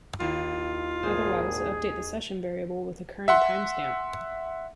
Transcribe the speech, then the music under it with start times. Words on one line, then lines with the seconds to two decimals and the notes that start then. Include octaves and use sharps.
Otherwise, update the session variable with the current timestamp.
0.20 D#2 E4 F4 F5
1.03 G#1 A#2 G#4 C5
3.28 E5 F#5 C6